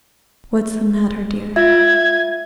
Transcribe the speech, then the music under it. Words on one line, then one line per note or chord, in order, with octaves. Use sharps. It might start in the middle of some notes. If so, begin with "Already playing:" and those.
"What is the matter, dear?"
F4 E5 G#6